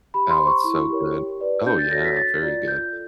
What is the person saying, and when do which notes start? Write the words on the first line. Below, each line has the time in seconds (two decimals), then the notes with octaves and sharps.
Oh, it's so good. Oh, yeah very good.
0.14 G4 B5
0.30 C6
0.39 C5
0.47 C#6
0.64 E4
0.89 G4 A#4 C#5
1.15 G4
1.41 B4 D5
1.66 D4 G6
1.78 A6
1.91 F#4 A4 C#5 A#6
2.05 B6
2.16 D4 A6
2.42 F4 A#4 D5
2.67 F4 G6
2.93 A4